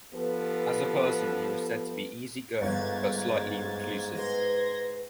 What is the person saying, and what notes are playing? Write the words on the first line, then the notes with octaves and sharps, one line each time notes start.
As a person he was said to be easy-going, but slightly reclusive.
F3 B3 G4 A4 B4
G1 G#2 G#6 A6
B4 C6 G#6 A#6